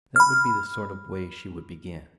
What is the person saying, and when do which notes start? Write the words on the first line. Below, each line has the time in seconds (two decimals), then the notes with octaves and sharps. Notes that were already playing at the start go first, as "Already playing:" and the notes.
That would be the sort of way she would begin.
0.16 B5 F6